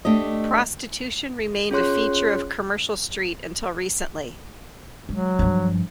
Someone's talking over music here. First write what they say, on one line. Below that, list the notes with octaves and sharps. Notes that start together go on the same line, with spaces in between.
Prostitution remained a feature of Commercial Street until recently.
A3 D4 G4 D#5
C#4 F4 G#4 C#5 C6 F#6
F#3 G#3
G2 F3